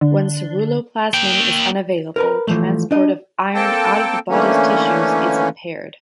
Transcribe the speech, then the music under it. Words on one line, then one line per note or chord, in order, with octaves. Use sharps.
When ceruloplasmin is unavailable, transport of iron out of the body's tissues is impaired.
D3
A#3 G5
A#4 B4 A#5
E3 F3 A3
D4 D#5
A#3 C4 A4 G5 A5
D3 E3 A3 A#3 C#4